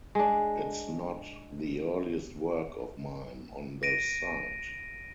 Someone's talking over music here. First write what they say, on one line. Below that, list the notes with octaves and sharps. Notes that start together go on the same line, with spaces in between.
It’s not the earliest work of mine on the site.
G#3 D4
A#6 D7 D#7